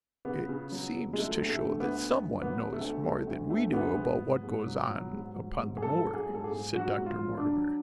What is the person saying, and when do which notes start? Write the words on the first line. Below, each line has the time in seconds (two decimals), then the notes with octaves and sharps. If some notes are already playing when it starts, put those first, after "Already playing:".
"It seems to show that someone knows more than we do about what goes on upon the moor," said Dr. Mortimer.
0.25 C#3 B3
0.49 C#3
0.72 F#3
0.95 C#3
1.13 G#3
1.18 F#3 A3
1.42 D2
1.49 A3
1.65 D2
1.80 B3
1.88 D2
2.11 D2
2.34 F#3
2.42 B3
2.57 F#3
2.73 A3
2.81 D2
3.04 F#3 A3
3.27 D2
3.50 D2 A3
3.73 D2 B3
3.97 G#2
4.20 F#3
4.43 G#2
4.66 F#3
4.90 F#3
5.13 G#2
5.36 F#3
5.59 G#2
5.77 G#4
5.82 F#3 A4
6.05 F#3
6.13 G#4
6.29 G#2
6.35 A4
6.44 G#4
6.52 G#2
6.75 F#3 F#4
6.98 G#2
7.06 F4
7.21 F#3
7.37 D4
7.45 F#3